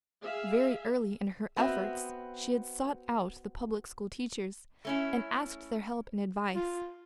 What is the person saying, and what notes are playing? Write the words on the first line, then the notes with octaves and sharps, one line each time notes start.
Very early in her efforts she had sought out the public school-teachers, and asked their help and advice.
G#4 E5 F5
B3 C4 F#4 E5
A3 C#4 E4
F4